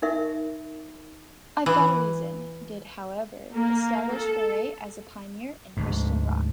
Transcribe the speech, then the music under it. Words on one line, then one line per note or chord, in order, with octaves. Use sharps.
"I've Got a Reason" did, however, establish Furay as a pioneer in Christian Rock.
D#4 A#4 E5
E3
A#3
A4
D2 G#2